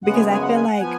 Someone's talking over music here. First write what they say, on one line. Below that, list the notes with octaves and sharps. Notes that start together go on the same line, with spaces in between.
because I feel like
F#2 C#3 G#3 B3 F#5
G#5
G#5
F#5
G#5
F#5
F3 B3 G#5